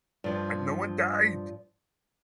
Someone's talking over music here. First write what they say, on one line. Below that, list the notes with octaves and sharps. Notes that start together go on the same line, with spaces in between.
And no one died.
G2 F3